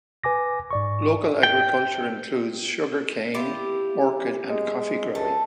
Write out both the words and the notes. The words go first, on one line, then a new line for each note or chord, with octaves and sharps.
Local agriculture includes sugar cane, orchid and coffee growing.
B4 G#5 D6 A#6
G#2 D5 C#6
G5
E4 F4 G4
G#3
C#2 A3